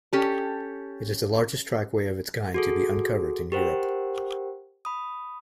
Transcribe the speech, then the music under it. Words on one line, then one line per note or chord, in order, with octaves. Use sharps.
It is the largest trackway of its kind to be uncovered in Europe.
C#4 G4 A4
F#4 G#4 A4
G4 A#4 C5 F#5 G5
B5 D#6